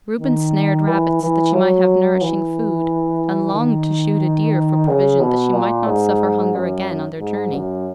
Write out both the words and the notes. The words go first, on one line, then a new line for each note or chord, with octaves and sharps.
Reuben snared rabbits, that she might have nourishing food, and longed to shoot a deer for provision, that she might not suffer hunger again on their journey.
D#3
E3
E3
F#3
E3
D#3
C#3
B2
A#2
G#2
F#2
G#2
F#2